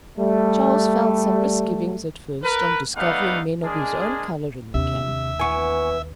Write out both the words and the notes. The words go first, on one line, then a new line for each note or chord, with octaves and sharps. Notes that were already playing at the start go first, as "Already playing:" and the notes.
Charles felt some misgivings at first on discovering men of his own color in the camp.
G3 A3
A#4 B4
G3 A3 B3 D#4 F5 F#5
G#3 A#3 D4 G#4
D#2 C3 D4 E5
E3 B3 G#5 C#6